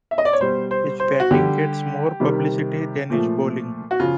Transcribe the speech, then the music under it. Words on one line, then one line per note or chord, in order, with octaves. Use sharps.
His batting gets more publicity than his bowling.
E5
D#5
D5
C#5
B2 G3 C5
C5
C5
F#4
D3 G3 G4
C3 D#3 G3
A#2 F3 A3
F#4
C#3 F3 F4